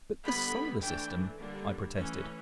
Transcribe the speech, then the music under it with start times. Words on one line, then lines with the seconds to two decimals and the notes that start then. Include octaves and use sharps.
"But the Solar System!" I protested.
0.24 D3 G3 B3 B5
0.81 E3 A3 D4 G5
1.37 D3 G3 A#3 D4
1.95 E3 A3 C#4